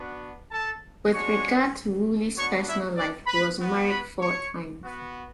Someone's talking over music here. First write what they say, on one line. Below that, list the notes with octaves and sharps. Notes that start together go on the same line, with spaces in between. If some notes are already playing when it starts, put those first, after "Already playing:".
With regard to Wooley's personal life, he was married four times.
Already playing: B3 D4 F#4
A4 A5
G#3 D4 F#4 C#5 C#6
B3 D4 F#4 C#5 C#6
E4 E5
D4 D5
B4 B5
B3 F#4
B4 B5
C#5 C#6
B3 F#4